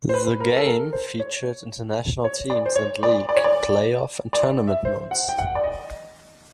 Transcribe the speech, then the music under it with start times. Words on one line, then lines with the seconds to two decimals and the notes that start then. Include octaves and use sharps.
The game featured international teams and league, play-off and tournament modes.
0.09 C5
0.14 B4
0.40 A#4
0.56 A4
0.67 A#4
0.93 C5
1.20 C#5
2.24 C#5
2.50 D5
2.66 C5
2.76 C#5
3.03 D5
3.29 D5
3.36 C#5
3.44 D5
4.33 D5
4.67 E5
4.85 C5
5.11 F#5
5.29 G5
5.38 F#5
5.55 D5
5.63 D#5